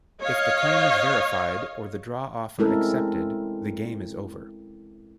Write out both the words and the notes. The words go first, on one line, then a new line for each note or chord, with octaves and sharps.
If the claim is verified or the draw offer accepted, the game is over.
C#5 D#5 F5
G#3 C4 C#4 E4 A4 A#4